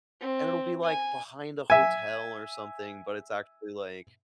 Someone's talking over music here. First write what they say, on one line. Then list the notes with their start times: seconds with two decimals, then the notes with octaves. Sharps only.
and it'll be, like, behind a hotel or something, but it's actually, like,
0.21 C4
0.83 G#5
1.70 E5 G#5